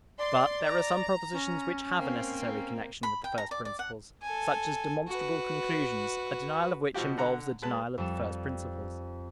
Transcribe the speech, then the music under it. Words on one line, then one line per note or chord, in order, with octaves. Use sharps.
But there are some propositions which have a necessary connection with the first principles: such as demonstrable conclusions, a denial of which involves a denial of the first principles.
D5 C6
A#5
C#4
A#3 C4
B5
G5
A#5
D5
D5
F#5
A4 G#5
F#4 B4
B2 F3 F#4 G4
D3 F#5 A#5
G#3 B4 A5
F2 G3 E7